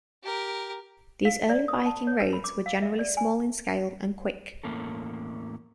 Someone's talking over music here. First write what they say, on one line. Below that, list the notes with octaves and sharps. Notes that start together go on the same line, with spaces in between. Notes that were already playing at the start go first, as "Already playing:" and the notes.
These early Viking raids were generally small in scale and quick.
G4 A#4
F5
D5
D#6
A5
C#5
B4
B5
D6
F5
E5
D5
G#5
E2 A2 A#3 C#4 A4